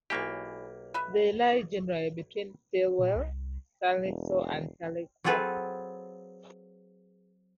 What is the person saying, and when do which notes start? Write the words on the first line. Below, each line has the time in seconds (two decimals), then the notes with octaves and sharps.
They lie generally between Stilwell, Sallisaw and Tahlequah.
0.10 B1 E3 G#3 A#3 G4 C#6
0.94 B4 E5
2.99 A#2
3.16 C2
4.04 E1
5.24 F#3 C4 F4 G#4 A4 B4